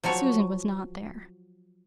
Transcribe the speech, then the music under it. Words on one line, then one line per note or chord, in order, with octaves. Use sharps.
Susan was not there.
F3 F#3 F#4 C#5